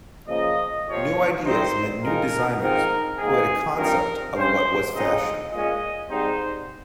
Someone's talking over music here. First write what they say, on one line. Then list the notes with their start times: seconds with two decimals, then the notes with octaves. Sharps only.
New ideas meant new designers who had a concept of what was fashion.
0.28 C#3 F3 A#3 D#5
0.87 F2 C3 F3 C#5
1.45 C3 D#3 G3 C4 D#4 C5
2.02 F2 D#3 G#3 D#4 A#4
2.60 G#2 F3 C4 D#4 A#4
3.19 G#2 D#3 A#3 G#4
3.77 G2 F3 C4 D#4 A#4
4.35 G2 G3 C#4 C5
4.94 F2 C#3 G#3 C4 D#4 D#5
5.52 A#2 G#3 C#4 D#5
6.10 G#2 G3 C4 D#4 C5